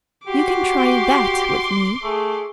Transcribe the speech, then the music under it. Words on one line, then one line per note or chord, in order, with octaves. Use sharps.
You can try that with me.
F#4 G4 C6 D6
A3 G#4